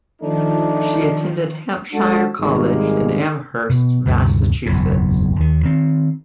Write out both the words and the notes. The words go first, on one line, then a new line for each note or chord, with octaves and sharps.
She attended Hampshire College in Amherst, Massachusetts.
D#3 F3 A3 D4 D#4
G#3 D4 F#4 A4
G#1 G3 G#3 A#3
B2
D2 G2 C3 A3
F#1 B1 E2 G#2
D#2 D#3
D#3 C4